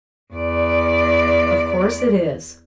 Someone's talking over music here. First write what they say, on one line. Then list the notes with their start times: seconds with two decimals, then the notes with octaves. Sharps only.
"Of course it is."
0.34 E2 D5